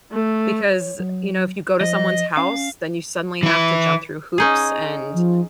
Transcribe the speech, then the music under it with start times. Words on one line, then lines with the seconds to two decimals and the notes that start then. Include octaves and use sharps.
Because, you know, if you go to someone's house, then you suddenly have to jump through hoops and
0.12 A3
0.72 C#5
1.00 F#3
1.81 F3 D#5
2.37 C#4 F5
3.43 E3 E4
4.38 C#4 D#4 G#4
5.14 F3